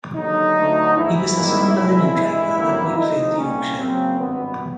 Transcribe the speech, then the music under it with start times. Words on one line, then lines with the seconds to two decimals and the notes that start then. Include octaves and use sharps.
He was the son of a linen-draper at Wakefield, Yorkshire.
0.15 D#2 D3 F#3 D#4
0.56 D2 D3 F#3 A3
0.96 A#1 G#2 E3 E4
1.37 G#1 G#2 D#3 G3 A#3
1.76 C2 A#2 F3 G#3
2.17 G2 E3 G#3 E4
2.57 G#1 F#2 D3 G3 A#3
2.97 D2 D3 F3 D#4
3.37 C2 A#2 G3 A#3 C#4
3.77 F#2 C#3 F#3 A#3 C4
4.18 G#1 G2 D#3 B3